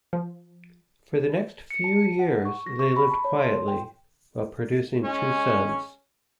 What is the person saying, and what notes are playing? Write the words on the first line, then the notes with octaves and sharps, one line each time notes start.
For the next few years they lived quietly, while producing two sons.
F3
C#7
A5
F#5
C#6
A#6
C#6
B5
A5
C#5
C6
G5
G#3 C#4